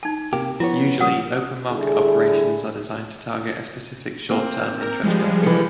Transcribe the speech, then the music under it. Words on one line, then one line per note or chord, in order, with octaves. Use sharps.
Usually, open market operations are designed to target a specific short-term interest rate.
D#4 A5
C3 A#3 G4
F3 B3 E4 C#5
G3 C#4 F#5 D#6
D3 G3 E4 G#4
A#3 C4
A#4
F3 G3 G#3
E3 A4